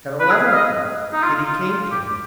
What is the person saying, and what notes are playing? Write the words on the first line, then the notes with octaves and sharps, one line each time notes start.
At eleven o'clock Kitty came to him.
B4
G#4
F5
D#5
D#4
F4
F4
F4
G4